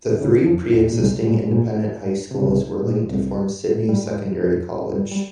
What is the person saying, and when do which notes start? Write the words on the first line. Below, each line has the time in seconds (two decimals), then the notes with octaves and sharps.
The three pre-existing independent high schools were linked to form Sydney Secondary College.
0.12 D#3
0.20 C#2 C#3
0.46 F2 F3
0.73 D#2 D#3
0.88 A#2
0.99 C2 C3
1.26 A#2
1.46 G#2
1.52 A#2
2.31 C3
2.38 C#3
2.45 C2 C3
2.83 A#2
3.09 C2 C3
3.88 G2 G3
4.06 G#2 G#3
4.40 F2 F3
4.94 G2 G3
5.11 G3